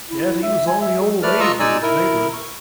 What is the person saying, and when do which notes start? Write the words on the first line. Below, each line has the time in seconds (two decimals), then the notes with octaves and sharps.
Yet he was only "Old Abe" to his neighbors.
0.10 E4
0.43 E5
0.67 G#5
0.81 E5
1.01 G#4
1.23 A3 B4 D5 F6
1.40 F4 D#5 A#5 C#6 E6
1.60 G#3 D#4 D5 G#5 E6
1.83 E4 A#4
2.34 C#6